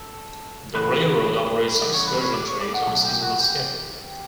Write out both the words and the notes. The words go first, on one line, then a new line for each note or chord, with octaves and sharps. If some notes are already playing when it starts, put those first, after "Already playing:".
The railroad operates excursion trains on a seasonal schedule.
Already playing: A4
C#3 E3 B3 B4
C#3 E3 G3 B3 D5
C#5
B4
C#5
D5
C#5
D5
F#5
B2 F#3 A3 A4
G4
F#4
G4